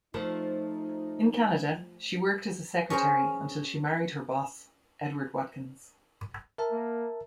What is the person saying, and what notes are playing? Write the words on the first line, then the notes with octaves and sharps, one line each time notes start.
In Canada, she worked as a secretary until she married her boss, Edward Watkins.
F3 A3 D#4
C#4 G#4 A#4 C5
A#4 E5 A5
A#3